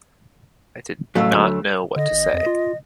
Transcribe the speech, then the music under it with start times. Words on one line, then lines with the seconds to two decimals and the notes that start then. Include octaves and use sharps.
I did not know what to say.
1.15 A1 F#3 A3 F5 E6
1.33 D2
1.96 D3 D#5
2.12 G#1
2.34 F2
2.46 F4